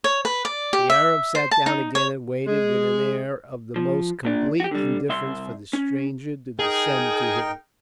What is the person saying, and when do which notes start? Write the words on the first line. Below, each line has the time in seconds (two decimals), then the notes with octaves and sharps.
The Arab sat down again and waited with an air of the most complete indifference for the stranger to descend to him.
0.04 C#5
0.25 B4
0.45 D5
0.73 G4
0.90 E5
1.35 C5
1.51 A5
1.66 D#4
1.95 C#5
2.47 G#3 G#4
3.76 F3
4.25 A#2 D4
4.60 F#4 G4
4.71 D3 G3
5.09 C2 E5 C6
5.73 C#4
6.59 D#4 G#4 A#4 G5